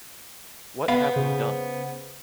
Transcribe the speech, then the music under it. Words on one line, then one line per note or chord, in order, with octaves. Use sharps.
What have we done?
B3 B4 F5 B5
C#3 C5